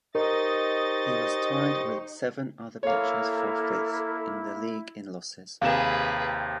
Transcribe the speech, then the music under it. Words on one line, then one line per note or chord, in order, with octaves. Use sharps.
He was tied with seven other pitchers for fifth in the league in losses.
D#4 G4 A#4 C5 D#5 C#6 A6
A#3 E4 A4 C#5 F5
D#2 C3 G#4 B4 F5 E7